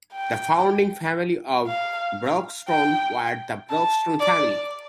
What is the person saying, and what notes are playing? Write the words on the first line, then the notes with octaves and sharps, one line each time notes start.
The founding family of Broxton were the Broxton family.
G5
F5
G5
A5
D5